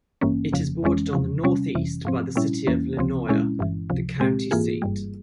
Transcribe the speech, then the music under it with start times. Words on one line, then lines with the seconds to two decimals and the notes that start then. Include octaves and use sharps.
It is bordered on the northeast by the city of Lenoir, the county seat.
0.21 G#1 G2 E3 A#3 C#4
0.53 G1 F2 C#3 F3
0.83 G1 F2 E3 G#3 C#4
1.13 E2 C3 F3
1.43 C3 G3 C#4
1.75 G1 F2 C3 E3
2.05 G#2 F3 C4
2.35 A#2 G3 C#4 E4
2.67 E2 E3 A#3 C#4
2.97 C#2 C#3 F3 C4
3.29 A#2 G#3 C#4 E4
3.59 G1 G2 E3
3.90 C#2 C3 F3
4.20 A#2 G#3 C4 G4
4.51 G#2 E3 A#3 F4 G#4
4.82 G1 G2 G3